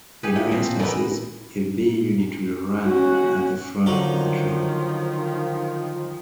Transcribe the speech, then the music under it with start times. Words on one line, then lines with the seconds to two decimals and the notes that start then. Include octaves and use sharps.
In rare instances, a B unit will run at the front of a train.
0.23 G4 G#4 B4
0.36 F3 E4 F#4
0.51 F3 C4
0.79 E3 B3 A#4 B4
2.84 C#4 F#4
3.86 D3 D#3 F3 F#3 D#4